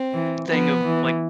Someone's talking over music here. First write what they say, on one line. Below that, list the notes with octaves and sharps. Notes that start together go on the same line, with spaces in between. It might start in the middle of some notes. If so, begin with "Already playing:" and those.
thing of, like,
Already playing: C4
E3
F3 B3
E3